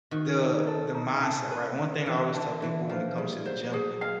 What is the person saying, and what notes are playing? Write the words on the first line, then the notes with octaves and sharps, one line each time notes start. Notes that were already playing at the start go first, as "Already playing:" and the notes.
the the mindset. Right? One thing I always tell people when it comes to the gym,
D#3 F#4
D#4
A4
D#4
A5
B4
E5
E3 B4
D3 A5
E3 B4
F3 F5
G3 G#4
F#3 C5
F#3 G#4
G#3 F5